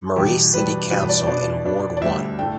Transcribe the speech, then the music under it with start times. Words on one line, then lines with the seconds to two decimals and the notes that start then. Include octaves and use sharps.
Marie City Council in Ward One.
0.16 E2 B2 G3 G4
0.53 E2 B2 G3 D4 B4
0.90 E2 B2 G3 D4 B4
1.09 D5
1.27 B2 B3 D4 D5
1.65 B2 B3 D4
1.97 D5
2.01 D2 D3 G3 E5
2.39 A2 A3 D4 G5